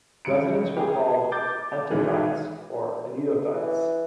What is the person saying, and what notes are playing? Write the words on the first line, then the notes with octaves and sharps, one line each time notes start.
Residents were called Antothites or Anetothites.
C#2 C#7 D7
G4 G#4
D6 G6 A6
B1 D#3 E3 G#3
E3